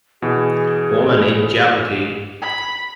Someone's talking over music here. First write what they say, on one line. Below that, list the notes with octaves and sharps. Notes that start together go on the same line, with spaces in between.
Women in Jeopardy!
B2 E3 G#4
B5